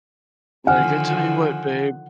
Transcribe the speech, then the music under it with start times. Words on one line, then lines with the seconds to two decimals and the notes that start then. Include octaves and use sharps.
Like, "I tell you what, babe”
0.67 D3 D#3 F3 F#5 G#5 F6